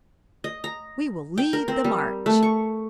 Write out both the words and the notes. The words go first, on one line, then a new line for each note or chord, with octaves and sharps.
"We will lead the march."
D#5
A#5
G5
A#4
C4
G3
A3
C#6